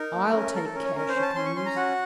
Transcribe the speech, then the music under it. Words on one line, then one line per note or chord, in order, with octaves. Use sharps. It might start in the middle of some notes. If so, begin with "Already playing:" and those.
I'll take care she comes.'
Already playing: D#4 A#4
A#3
C#4
A4 A#4
A4
C#4 A#4
C#5
C#4 A#4
C5
C#4
A5
C#4 C6
C#6
C#4 C6
A#5
F#4 F#5